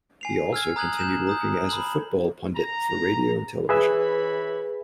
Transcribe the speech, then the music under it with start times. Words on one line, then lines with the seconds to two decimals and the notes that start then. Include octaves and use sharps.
He also continued working as a football pundit for radio and television.
0.21 G#5 C7 F7
0.53 E6 F6 G#6
0.76 A#5 D#6 F#6 G#6 F#7
0.99 G6 E7
1.27 A#5 D#6 G6
1.69 B5 F#7
2.56 A#5
3.69 E3 G#4 B4 C#5 E5 B5